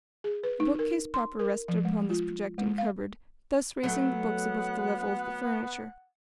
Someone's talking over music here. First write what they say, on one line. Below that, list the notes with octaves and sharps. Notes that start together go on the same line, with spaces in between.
The bookcase proper rested upon this projecting cupboard, thus raising the books above the level of the furniture.
G#4
B4
D#4
A#4
C6
A#4
F3
G#3
F4
G#3
F5
F#3 A3 B3 F#5